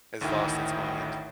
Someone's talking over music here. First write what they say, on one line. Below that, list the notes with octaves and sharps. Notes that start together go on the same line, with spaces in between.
has lost its mind.
A1 D2 A2 D#3 E4 G5